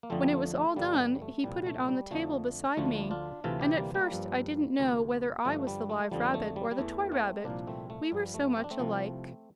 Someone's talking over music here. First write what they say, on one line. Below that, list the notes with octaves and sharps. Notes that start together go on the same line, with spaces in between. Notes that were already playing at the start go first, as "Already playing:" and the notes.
When it was all done he put it on the table beside me, and at first I did n't know whether I was the live rabbit or the toy rabbit, we were so much alike.
A#3
F2 D3 F3 A3 C4
G3
A3
A3
G2 D3 F3 G3 A#3
A3
G3
A3
C2 A#2 F3 G3
A3
G3
F2 D3 F3 A3
D2 D3 F3 A3
D4 F4
D2 C3 E3 F4 A4
E4 G4
G3 A#3
G3 A#3
G2 F3
D2 C3 E3
G2 D3 F3 A3
G3
A3
F2 D3 F3 G3
A#3
A3
G3
G3
E2 E3 A3
A3 C4
C2 A#2 F3 A#3 D4
A3 C4
A3
G2 F3 G3
A3
C4
D4
A3 C4
C2 C3 F3